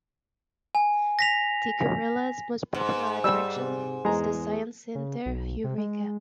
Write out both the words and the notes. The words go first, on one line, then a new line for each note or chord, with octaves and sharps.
Tikkurila's most popular attraction is the science center Heureka.
G#5
A#6 B6 F7
G#2
G3 E6
C3
E2 G#3 G#5 A#5
C#3
B1
C3
G#3